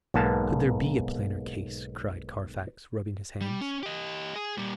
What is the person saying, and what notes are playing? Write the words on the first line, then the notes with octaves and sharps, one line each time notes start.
"Could there be a plainer case?" cried Carfax, rubbing his hands.
B1 G#2 A#3 B3 A5
G3
C#4
G4 D#5
G#4
A#2 G3